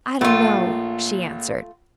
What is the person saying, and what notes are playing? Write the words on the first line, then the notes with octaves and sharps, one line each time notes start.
"I don't know," she answered.
A#1 A3 F4